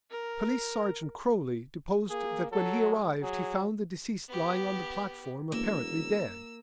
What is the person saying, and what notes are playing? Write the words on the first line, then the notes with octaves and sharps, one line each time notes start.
Police Sergeant Croly deposed that when he arrived he found the deceased lying on the platform apparently dead.
A#4
A#3 G#4
F#3 A4
G#3
F#3 G#4
B3 G4
E1 A#3 E6